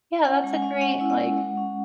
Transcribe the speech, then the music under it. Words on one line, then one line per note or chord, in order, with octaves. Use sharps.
yeah, that's a great, like
C#4 F#5
G#3
G#5
C#4
C#4 F#5
E4
F#5
G#3
G#3
C#4